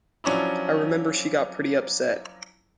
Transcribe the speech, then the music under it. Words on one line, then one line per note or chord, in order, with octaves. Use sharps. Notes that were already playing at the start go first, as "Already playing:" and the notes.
I remember she got pretty upset.
F3 F#3 C#4 D4 E4